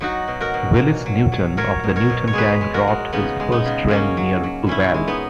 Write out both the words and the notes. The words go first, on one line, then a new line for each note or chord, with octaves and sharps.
Willis Newton of The Newton Gang robbed his first train near Uvalde.
F#3 D#4 F#4
B2
F#4 A#4
B2
A#2
F#3
F#3
F#3 A#4 C#5
B2
A#4 C#5
B2
C#5
G#3 G#4 B4
G#3
F#4 A#4
G#3
C#3 B3 D#4
G#3
B3 D#4
C#3
F#3 A#3 C#4
F#3
F#3
A#2 C#4 E4
G#3
B3 D#4